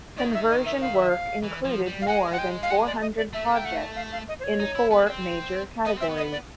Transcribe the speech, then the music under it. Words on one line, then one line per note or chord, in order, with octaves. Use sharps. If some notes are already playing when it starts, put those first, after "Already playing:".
Conversion work included more than four hundred projects in four major categories.
D#3 D5
E5
D#5
E5
F5
E5
F5
E3
F3
G3
F5
G#3 F#5
F#5
G5
F5
F#5
D5
D#5
D5
A3 E5
G5
F#5
F5
F5
D#5
C5
C#5
D#4
E4
B3
C4
B3 D#5
C4 E5
B3
D#5
D5